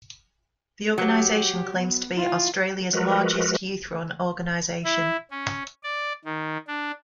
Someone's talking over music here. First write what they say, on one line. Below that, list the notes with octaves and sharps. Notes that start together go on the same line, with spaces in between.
The organisation claims to be Australia's largest youth-run organisation.
F#3 G4
B3
E4 F4
F3 G#3 F#4 A#4 B4
E4
C#4
D5
D#3
D4